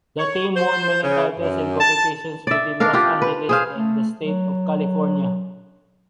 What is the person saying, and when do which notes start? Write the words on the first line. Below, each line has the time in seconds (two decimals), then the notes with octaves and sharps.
The team won many titles in competitions within Los Angeles and the State of California.
0.19 C#5
0.56 C5
1.03 C#3
1.39 F#2
1.80 A5
2.47 D5 E5
2.80 D4 A#4 F5
2.93 C4 D4 F4 G4
3.22 B4
3.49 G#4 C5 F5
3.75 A3
4.20 F#3